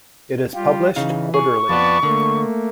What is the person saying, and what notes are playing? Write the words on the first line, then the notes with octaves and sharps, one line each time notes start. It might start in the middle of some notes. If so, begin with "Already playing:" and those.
It is published quarterly.
G3 F4 G4
C#3 E3 D#4 F5
G#4 C#6
F2 B3 B4 D5 A5
D3 A3 A#3